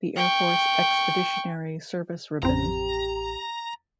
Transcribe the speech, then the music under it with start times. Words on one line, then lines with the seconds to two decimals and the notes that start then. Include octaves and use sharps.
The Air Force Expeditionary Service Ribbon.
0.16 G5 C#6
2.43 A1 F2 C4 G4 A#5